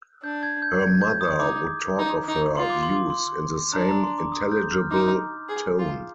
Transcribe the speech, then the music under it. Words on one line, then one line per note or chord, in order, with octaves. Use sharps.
Her mother would talk of her views in the same intelligible tone.
D4 G6
G#6
G6
G#6
G6
D#6
D#4 D6
D#4
D#4
F4 C6
D6
C6
D6
C6
D4 A#5
A#5
C6
D6
D#6
G6
F6
D#4 D6
G#4
F4